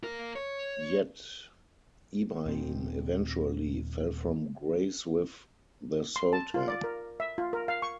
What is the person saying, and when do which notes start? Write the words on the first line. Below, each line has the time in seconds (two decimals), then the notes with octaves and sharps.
Yet Ibrahim eventually fell from grace with the Sultan.
0.03 A#3 A#4
0.35 C#5
2.46 D#1 C4
6.16 C6
6.33 A5
6.54 F4
6.68 D5
6.84 A#4
7.20 E5
7.38 F4
7.53 A#4
7.68 F5
7.82 C#6